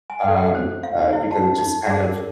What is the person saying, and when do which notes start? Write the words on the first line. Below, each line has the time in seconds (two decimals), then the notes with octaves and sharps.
um, uh, because it just kind of
0.10 G#5
0.28 A4
0.55 C5
0.83 F5
1.13 E4
1.31 A5
1.58 D#4
1.91 G#4
2.03 A#4